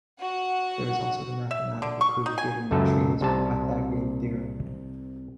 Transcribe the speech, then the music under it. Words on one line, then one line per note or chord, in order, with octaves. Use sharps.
There is also the mathematical proof given in the treatise for the Pythagorean theorem.
F#4 F#5
E5
D3
C#6
D#4
G#5
C#2 F#2 A3 A4
C2 C3 A5